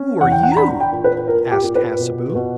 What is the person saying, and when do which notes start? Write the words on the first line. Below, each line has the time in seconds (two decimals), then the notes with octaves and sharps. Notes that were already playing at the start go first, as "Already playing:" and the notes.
'Who are you?' asked Hassebu.
Already playing: C#4
0.21 E2 F#5
0.32 G5
0.43 F#5
0.52 A#5
0.57 D4 B5
0.80 G5
0.92 A#2
1.04 B4
1.28 A#2 A#4
1.51 G4
1.64 A#2
1.75 B4
1.99 B2
2.35 B2